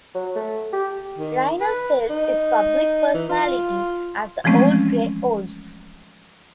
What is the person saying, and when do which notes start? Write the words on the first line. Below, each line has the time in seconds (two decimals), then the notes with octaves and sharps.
Rhyner styles his public personality as "The Old Grey Wolf".
0.15 F#3
0.36 A3
0.73 G4
1.18 D#3
1.60 B4
2.10 D#4
3.14 E3
3.29 F4
4.44 E3 F3 G#3 A3 C4 C#4